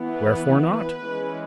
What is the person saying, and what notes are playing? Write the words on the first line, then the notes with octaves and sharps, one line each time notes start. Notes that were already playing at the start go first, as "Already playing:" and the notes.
Wherefore not?
Already playing: E3 B3
B4
B4
E3 G#3 C#4